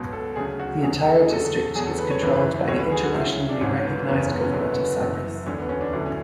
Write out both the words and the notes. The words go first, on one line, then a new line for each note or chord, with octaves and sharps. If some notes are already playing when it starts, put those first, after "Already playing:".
The entire district is controlled by the internationally recognized government of Cyprus.
Already playing: C#2 B2 F#3
A4
D2 C#3 F#3 G#4
F#4
E2 B2 F#3 G#4
A4
G#4
E2 D3 F#3 A4
E2 B2 F#3 G#4
A4
B4
C#5
G#1 F#2 C#3 E3 B4
B4
B4
D2 D3 F#3 C#5
B4
G#4
F#4
C#2 C#3 F#3 E4
C#4
D4
G#1 G#2 F#3 C#4
B3
F#1 E2 C#3 B3
C#4
B3
C#4
F#1 F#2 D3 F#3 B3
C#4
B3
F#1 F#2 E3
E1 D2 D3 F#3 C#4
B3
C#4
D4
D2 D3 F#3 E4
C#4